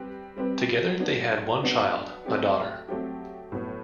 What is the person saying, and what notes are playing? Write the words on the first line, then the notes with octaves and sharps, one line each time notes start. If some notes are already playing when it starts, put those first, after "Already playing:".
Together they had one child, a daughter.
Already playing: G3 C4 G4 B4
G3 C4 G4 B4
F#3 B3 D4
F#3 B3 D4
F#3 A3 C4 G4
F#3 A3 C4 G4
A2 F#3 B3